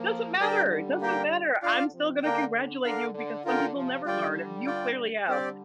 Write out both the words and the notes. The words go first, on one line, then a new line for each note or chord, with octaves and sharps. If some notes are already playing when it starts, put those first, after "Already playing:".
Doesn't matter, it doesn't matter. I'm still gonna congratulate you because some people never learn and you clearly have.
Already playing: F3 A#3
D3 G3 G4 A#4 D5 G5
A#3 G4 A#4 G5
D3 F4 D5 F5
C3 F3
D3 A#3 D4 A#4 G5
D3 D4 A#4 F5
D3
D3 F4 A#4 G5
C3 F3
D3 G3 F4 D5 G5
F4 D5 G5
D3 G3 C4 G4 D5